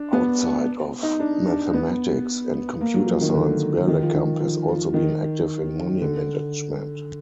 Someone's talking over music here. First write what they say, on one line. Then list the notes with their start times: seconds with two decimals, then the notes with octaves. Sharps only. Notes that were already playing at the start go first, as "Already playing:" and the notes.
Outside of mathematics and computer science, Berlekamp has also been active in money management.
Already playing: D4
0.13 B3
1.03 D#4
1.20 D4
1.47 D4
1.74 B3
2.81 A#3
2.94 F#3
3.07 F3
3.21 D#3
3.34 D3
3.88 D#3
4.03 F3
4.15 D#3
4.40 F3
4.68 F3
4.94 D#3
6.01 D3